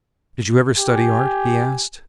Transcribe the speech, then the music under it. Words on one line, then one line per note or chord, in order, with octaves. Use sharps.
"Did you ever study art?" he asked.
G4 G#5